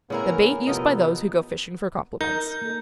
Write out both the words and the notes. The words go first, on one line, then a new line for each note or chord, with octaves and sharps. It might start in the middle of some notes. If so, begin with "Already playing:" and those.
The bait used by those who go fishing for compliments.
A2 C#3 B3 E4 G#4 A#4
C3 F3 B3 D#5
D#4 A#4 G6
A#3 A4